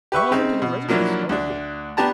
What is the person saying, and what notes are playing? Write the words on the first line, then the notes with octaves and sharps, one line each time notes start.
"Follow me to the Residence--all of you!"
G4 B4 E5 C#6
C#3 C4 D#4
B2
F3 F#3 A#3 D4 E4
D2 D4
B3 D4 G4 A5 A#5